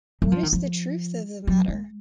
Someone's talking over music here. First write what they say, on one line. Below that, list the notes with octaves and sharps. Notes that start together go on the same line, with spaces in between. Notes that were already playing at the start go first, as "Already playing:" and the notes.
What is the truth of the matter?
F#3
F3
D#3
F3
F#3
G#3